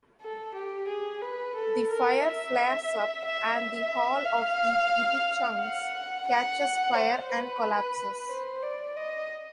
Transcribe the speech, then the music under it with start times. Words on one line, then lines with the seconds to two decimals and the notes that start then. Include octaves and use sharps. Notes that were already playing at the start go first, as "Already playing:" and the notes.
The fire flares up, and the hall of the Gibichungs catches fire and collapses.
0.22 A4
0.55 G4
0.88 G#4
1.22 B4
1.56 A4
1.90 A#4
2.24 E5
3.25 E5
3.58 E5
4.26 F5
5.61 F#5
6.28 F#5
6.95 C5
7.29 B4
8.30 C5
8.63 D5
8.97 D#5